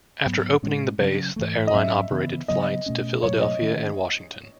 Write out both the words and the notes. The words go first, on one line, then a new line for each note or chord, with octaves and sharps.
After opening the base, the airline operated flights to Philadelphia and Washington.
G#2 F#3 B3
A2 G#3 C#4
C#3 F#3 C#4
G#2 E3 A3
D#5
G#2 F#3 C#4 E5
C#3 E3 B3
C#3 F#3 B3 D#5
B2 A3 C#4
B2 F#3 A3 C#5
D#5
D#3 A3 C#4